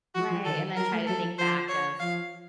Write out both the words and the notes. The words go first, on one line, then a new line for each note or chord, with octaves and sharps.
Right, and then try to think back of,
F3 F#4
F3
D#3 A4
D#3
F#3 A#4
A3
F#3 A4
F3
F3 C5
C#5
F3 F5